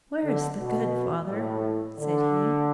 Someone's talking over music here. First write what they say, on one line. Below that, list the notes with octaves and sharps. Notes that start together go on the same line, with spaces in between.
'Where is the good, father?' said he.
D3
B2
A2
D3